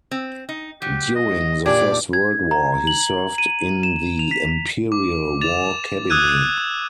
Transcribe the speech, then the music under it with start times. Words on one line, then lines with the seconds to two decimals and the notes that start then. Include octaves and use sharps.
During the First World War, he served in the Imperial War Cabinet.
0.11 C4
0.49 D#4
0.82 F#3 G4
1.15 D#5
1.66 A#2 D4 G4 D5 G#5
2.13 G#6
2.51 A#5
2.87 F#7
3.38 D#7
3.83 E7
4.19 F7
4.31 B6
4.92 D6
5.41 A6 E7 F7
6.10 D#6 E6 F#6 G#6 D#7